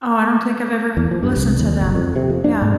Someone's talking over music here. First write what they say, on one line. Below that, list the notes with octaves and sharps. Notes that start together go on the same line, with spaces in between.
Oh, I don't think I've ever listened to them. Yeah.
E2
F3
G2
C2
D#2
F#1
F2
C3
F2
D4
G#2